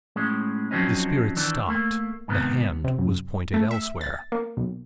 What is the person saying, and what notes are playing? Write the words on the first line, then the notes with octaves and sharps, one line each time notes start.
The Spirit stopped; the hand was pointed elsewhere.
A2 G#3 C#4
F#2 F3 F#3 C4 C#4 D#4
D#3 E3 D4
A3 A#3
G#2 C3 D#3 B3
C3
F#2
A3
E5
A6
A#3
B1